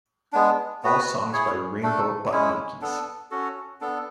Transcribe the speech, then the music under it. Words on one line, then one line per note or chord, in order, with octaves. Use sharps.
All songs by Rainbow Butt Monkeys.
G#3 B3 D4
B3 F#4 B4
E4 G#4 C#5
A3 D4 A4
G#3 C#4 E4
B3 D4 A4
C#4 F#4 A4
B3 D4 A4